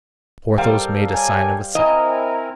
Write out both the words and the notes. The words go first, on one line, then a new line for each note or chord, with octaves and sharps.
Porthos made a sign of assent.
G3 A4 A#4 C5 F5 G5
G4 C#5 G#5
C4 E4 A#4 D#5 G#5 A#5